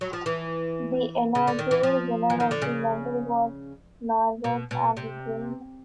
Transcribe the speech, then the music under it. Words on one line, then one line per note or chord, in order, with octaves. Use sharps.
The inaugural winner of the medal was Norwood's Alby Green.
F#3
F3
E3
C#3
D3
D#3
E3
F3
E3
D#3
D3
C#3
B2
B2
C3